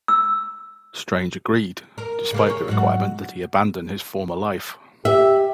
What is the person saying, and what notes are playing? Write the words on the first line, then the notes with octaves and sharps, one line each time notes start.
Strange agreed, despite the requirement that he abandon his former life.
E6
A#4
C#3 A#3 A#4
G#4 C#5
G#2 F#3 F#4
G4 E5